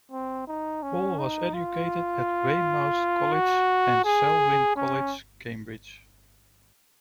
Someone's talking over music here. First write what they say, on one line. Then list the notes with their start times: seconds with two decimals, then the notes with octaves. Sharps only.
Paul was educated at Weymouth College and Selwyn College, Cambridge.
0.11 C4
0.47 D#4
0.83 C#4
1.19 D#4
1.54 F4
3.33 F#4
4.05 G#4
4.76 C#4